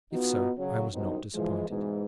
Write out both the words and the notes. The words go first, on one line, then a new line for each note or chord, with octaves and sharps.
If so, I was not disappointed.
B3 D#4 F4 F#4
C#3 F#3
G1 C2 F#2 B2 C4 D#4
E3 F3 G#3
G#2 B2 E3 G#3